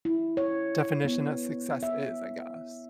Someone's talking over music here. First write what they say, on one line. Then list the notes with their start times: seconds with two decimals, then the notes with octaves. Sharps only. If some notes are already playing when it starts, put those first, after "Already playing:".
definition of success is, I guess.
0.05 E4
0.37 C#5
1.05 B3
1.83 E5